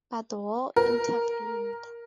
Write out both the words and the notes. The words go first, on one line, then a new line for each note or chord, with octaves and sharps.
But war intervened.
A#4